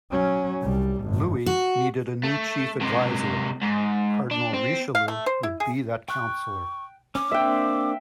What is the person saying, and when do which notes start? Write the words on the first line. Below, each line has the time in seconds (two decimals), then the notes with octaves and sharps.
Louis needed a new chief advisor; Cardinal Richelieu would be that counsellor.
0.11 F#3 C#4
0.62 C2 G3
1.02 G#1 F#2
1.46 F#4
2.24 A3
2.81 C3 G#3
3.63 G#2
4.31 D4
4.54 C4
4.95 F5
5.08 A3
5.26 C5
5.43 E4
5.60 G#4
6.09 G5 C#6 F#6
7.15 C#4 D6
7.31 A#3 C4 D4 E5 G5